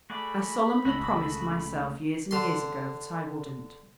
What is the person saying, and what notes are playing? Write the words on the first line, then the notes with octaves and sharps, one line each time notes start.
I solemnly promised myself years and years ago that I wouldn't.
A3 F#4 G#4 D5 B5
C#2 C#3 F#4 A4 D#5
D3 C6